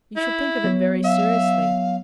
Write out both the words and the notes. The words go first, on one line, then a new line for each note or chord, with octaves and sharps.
You should think of it very seriously.
E4
F#3 B3 C#5
E5 F5